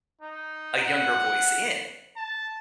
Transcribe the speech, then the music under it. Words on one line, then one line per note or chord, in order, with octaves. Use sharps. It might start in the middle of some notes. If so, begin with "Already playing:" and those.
a younger voice in
D#4
F#5
A5